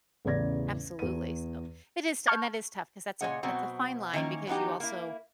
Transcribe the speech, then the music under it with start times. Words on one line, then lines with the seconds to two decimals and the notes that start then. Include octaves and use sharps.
absolutely, so, it is t and that is tough 'cause that's a that's a fine line because you also
0.25 A1 E2 C#3 D5 G#6 A#6
0.99 E2 D#7
2.26 A5 C#6 F6 G6 G#6
3.21 A#2 C#3 G#4 C#5 D#5 F#5
3.43 B2 F#3 B3 C4 F#4
4.13 D#3 E3 A#3 C#4 C#5
4.47 E3 F#3 B3 D#4 G4
4.80 A#3 E4